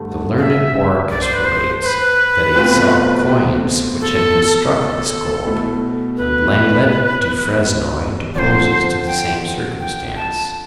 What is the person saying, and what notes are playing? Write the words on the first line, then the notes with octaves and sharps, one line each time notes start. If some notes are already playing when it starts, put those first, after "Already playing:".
The learned Borrichius relates, that he saw coins which had been struck of this gold; and Lenglet du Fresnoy deposes to the same circumstance.
Already playing: G2 D3 A3
F5
E5
D5
C5
B4
C5
C5
B4
B2 A3 C4 F4
A4
A4
B2 A3 E4
B4
D3 F3 C4 F4 C5 D5
G5
G5
A5